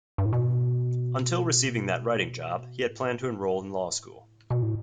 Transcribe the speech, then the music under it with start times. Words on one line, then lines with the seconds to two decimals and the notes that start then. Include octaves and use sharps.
Until receiving that writing job, he had planned to enroll in law school.
0.18 G2
0.26 A2
0.33 B2
2.86 A2
4.51 B2
4.62 A2